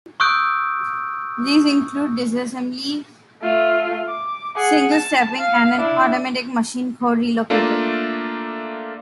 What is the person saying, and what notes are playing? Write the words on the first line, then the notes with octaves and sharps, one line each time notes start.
These include disassembly, single-stepping, and an automatic machine code relocator.
C#6 D#6 E6 F#6 G6 D7
A3 F4
D6
G#4 F#5
A5
F5
D4 E4
A3 A#3 D4 F4